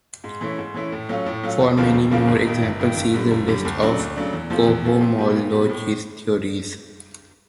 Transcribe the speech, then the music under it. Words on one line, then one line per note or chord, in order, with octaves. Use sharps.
For many more examples, see the list of cohomology theories.
G#2
E3 A3 C#4 E4
G#2
E3 A3 C#4 E4
A2
F#3 A3 C#4 F4
A2
F#3 A3 C#4 F4
E1
D2 C#3 F3 A#3
E1
D2 C#3 F3 A#3
G1
G2 D#3
G1
G2 D#3
F#1
F#2 D3 G3
F#1
F#2 D3 G3
D2
C#3 F#3 A3 D4
D2
C#3 F#3 A3 D4
E2
C3 F3 A3
E2
C3 F3 A3
A#2
G3 B3
A#2
G3 B3
A2